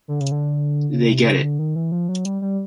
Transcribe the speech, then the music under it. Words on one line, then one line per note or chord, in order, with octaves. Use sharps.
They get it.
D3
C#3
D3
C#3
C3
C#3
D3
D#3
E3
F3
F#3
G3
G3